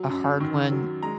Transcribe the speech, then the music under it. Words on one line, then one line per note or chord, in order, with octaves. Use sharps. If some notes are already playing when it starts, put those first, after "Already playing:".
a hard one
Already playing: F#3
F#2
D#3
F#3
G#3 A#5